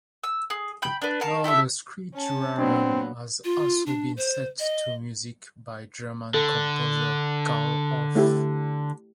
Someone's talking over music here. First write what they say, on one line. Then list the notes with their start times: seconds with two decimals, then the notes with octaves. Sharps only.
Laudes Creaturarum has also been set to music by German composer Carl Orff.
0.23 E6
0.50 G#4
0.82 G5 B5 G6
1.02 D4 B4
1.21 A#4 F5 A5 C#6
1.44 E4 G4 A4 E5
2.14 C#4 A5
2.58 A#2 F#3 B3 C4 D4
3.45 F4
3.86 D4
4.17 C5
4.60 D#5
6.34 D3 A4
8.15 A3 E4 G4